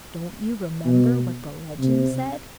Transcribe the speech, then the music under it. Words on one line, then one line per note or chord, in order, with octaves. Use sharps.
Don't you remember what the legend said?
B2
C3